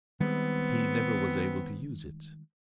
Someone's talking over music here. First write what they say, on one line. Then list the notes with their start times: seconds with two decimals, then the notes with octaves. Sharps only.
He never was able to use it.
0.20 D#3 G3 G#3 B3 C4